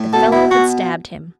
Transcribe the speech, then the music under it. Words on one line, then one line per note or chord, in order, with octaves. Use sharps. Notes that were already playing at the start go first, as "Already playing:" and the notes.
The fellow had stabbed him.
Already playing: A2
B2 A4
B2 E4
B2 F#4